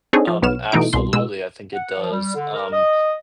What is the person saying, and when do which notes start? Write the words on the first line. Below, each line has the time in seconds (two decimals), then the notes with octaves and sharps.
Um, absolutely, I think it does. Um,
0.13 C4 D4 D#4 G#4 A4 C#5
0.27 F3
0.42 B1 B3 C#5 F6 E7
0.72 B2 E3 A3 D#4 E4 D7
0.93 C2 B2 C6
1.13 B2 G#3 E6
1.73 F#5
1.99 F3
2.12 G3
2.35 D3
2.55 A#4
2.72 D#5